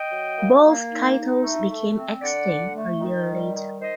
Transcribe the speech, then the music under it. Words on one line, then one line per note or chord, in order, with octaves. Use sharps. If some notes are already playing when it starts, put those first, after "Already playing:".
Both titles became extinct a year later.
Already playing: D#5 G5
F#3
A#3
A#3
D#4
D#4
A3
A3
C4
D3 D5 F#5
D3
A3
D#3
G3
D#3
D#3 C5 D#5